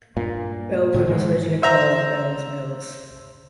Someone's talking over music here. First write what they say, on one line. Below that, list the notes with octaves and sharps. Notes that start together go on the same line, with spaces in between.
Bellwood was originally called Bell's Mills.
G2 A#2
A2 D3 F#3
G#2 D#3 E3 G#3
C5 E5 A#5